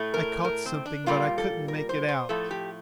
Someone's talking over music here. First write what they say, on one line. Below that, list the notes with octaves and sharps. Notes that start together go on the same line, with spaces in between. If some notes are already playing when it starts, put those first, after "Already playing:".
I caught something, but I couldn't make it out.
Already playing: A2 A3
A#4
A#4
C4
D4
A#2 G3 A#3 F4
A4
A#4
C5
C5
A2 F3 A3 A4
G4